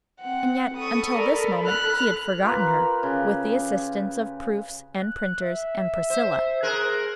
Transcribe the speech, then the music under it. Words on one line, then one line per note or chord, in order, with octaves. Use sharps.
And yet, until this moment, he had forgotten her, with the assistance of proofs, and printers, and Priscilla.
C4 F#5
A4 B5 C#6 D#6
A#4 D5
F6 F#6
F4 G4 A#4 B4
C#3
F#6
E5
C5
G#4 A#4 C5 F#6